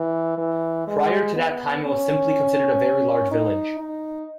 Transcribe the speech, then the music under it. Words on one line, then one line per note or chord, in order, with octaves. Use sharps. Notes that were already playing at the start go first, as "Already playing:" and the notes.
Prior to that time it was simply considered a very large village.
Already playing: E3
E3
G#3
B3
C#4
D#4
D#4